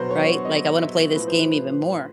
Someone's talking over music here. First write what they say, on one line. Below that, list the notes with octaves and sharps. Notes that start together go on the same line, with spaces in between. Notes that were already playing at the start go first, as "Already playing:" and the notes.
right? Like, I wanna play this game even more."
Already playing: B2 F#3 B4 C5
C#5
D#5
E5
A2 F3 B4
C5
B4